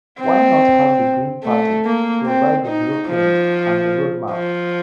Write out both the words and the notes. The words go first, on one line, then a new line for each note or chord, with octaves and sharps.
Why not have the Green Party provide the blueprint and the road map?
C4
A3
A#3
C4
D#4
F3
F3